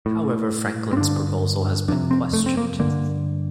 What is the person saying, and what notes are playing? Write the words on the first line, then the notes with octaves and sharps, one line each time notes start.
However Franklin's proposal has been questioned.
A2
C4
G2 D3 D4
F2 C3 D4
C4
A3
C4
A#3
G2 D3 A#3